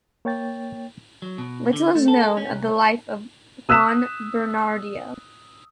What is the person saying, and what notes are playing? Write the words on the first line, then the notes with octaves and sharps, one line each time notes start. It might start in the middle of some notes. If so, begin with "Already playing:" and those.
Little is known of the life of Juan Bernardino.
A#3 C#5 G5 A6
F#3
B2
D3
A3
A4
C#4
C2
D#6 E6 F#6 B6 E7